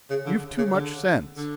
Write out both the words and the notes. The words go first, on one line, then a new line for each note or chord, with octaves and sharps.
You've too much sense.
C#3
D3
C#3
D3
D3